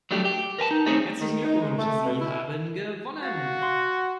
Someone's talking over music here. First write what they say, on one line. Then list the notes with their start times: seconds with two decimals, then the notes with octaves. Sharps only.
Herzlichen Glückwunsch, Sie haben gewonnen!
0.11 F#3 G3 A3 D4 G4
0.25 G4
0.59 A#4 B4 G#5 A5
0.71 D#4
0.86 G3 A3 C4 C#4 D#4 G#4
1.21 D#3
1.44 D#4
1.61 G#3
1.78 A3
2.04 B2
2.20 E4
3.23 F#4 F5 A6
3.62 F#5 C6